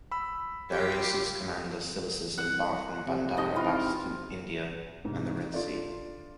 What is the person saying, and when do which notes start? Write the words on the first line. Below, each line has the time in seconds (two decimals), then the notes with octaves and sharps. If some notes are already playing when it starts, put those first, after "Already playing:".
Darius's commander, Silacus, embarked from Bandar Abbas to India and the Red Sea.
0.11 B5 E6
0.70 F4 G4
2.38 C2 F#5
3.07 C3
3.37 G#2 C3 D#5
3.55 E3 F4
5.05 G#2 C3
5.54 D4 F4 A4 D5